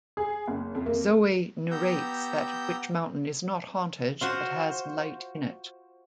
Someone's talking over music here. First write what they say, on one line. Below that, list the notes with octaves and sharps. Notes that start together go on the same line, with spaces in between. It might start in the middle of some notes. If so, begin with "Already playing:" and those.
Zoe narrates that Witch Mountain is not haunted but has light in it.
G#4
F#1
F2
A#3
B3 G4 A#5 E6 G6
F4 F#4 C5